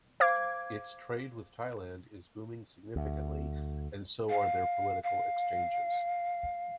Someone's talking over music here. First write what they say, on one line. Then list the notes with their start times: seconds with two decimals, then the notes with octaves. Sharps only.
Its trade with Thailand is booming significantly and so are their political exchanges.
0.20 C5 F5 D6 G#6
2.96 D2
4.30 F5
5.04 F5